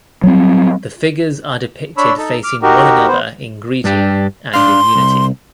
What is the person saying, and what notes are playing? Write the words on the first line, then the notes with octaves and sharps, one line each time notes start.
The figures are depicted facing one another in greeting and in unity.
F#3 G3 C4
D4 C#5 B5 E6
D#4 A4
D6 F6
D#4 F#4 G4 A#4
B3 C5
G2 D4 G4
D4 F5 C6
C2